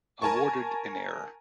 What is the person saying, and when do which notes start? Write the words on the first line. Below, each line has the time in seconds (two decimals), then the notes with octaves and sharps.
Awarded in error.
0.22 A#4 G#5 A5 C#6